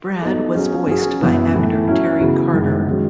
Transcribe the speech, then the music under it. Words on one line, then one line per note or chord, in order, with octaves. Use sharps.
Brad was voiced by actor Terry Carter.
F#3 B3 D#4 A4
F#3 C#4 G#4
F#3 C#4 G#4
F#2 E3 B3
A2 E3 A3
F#3 C#4 E4
C#3 E3 B3 F#4
F#2 D#3 G#3
D#3 G#3 C#4 F#4